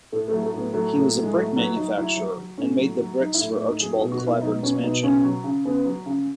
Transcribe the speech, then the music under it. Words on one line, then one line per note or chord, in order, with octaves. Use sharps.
He was a brick manufacturer and made the bricks for Archibald Clybourne's mansion.
A2 A3
A3
F#3
A3
A2 B3
F#3 A3
A2
A2
G#3
F#3 A3
F#3 B3
F#3 D#4
F#3 E4
F#3
F#3
A2 C#4
F#3
F#3
F#3 D#4
E4
A2
E4
A2
D#4
F#3 G#4
F#4
G#4
B2
F#4
B2
E4
F#3 D#4
B2 C#4
B2 D#4
C#3 C#4
F#3
C#3
C#3 B3
F#3
C#3